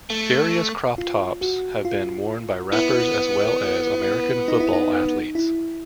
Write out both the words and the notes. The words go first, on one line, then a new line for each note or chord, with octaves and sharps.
Various crop tops have been worn by rappers as well as American Football athletes.
A3
F4
F#4
F4
B3 E4
D#4
E4
D#4
E4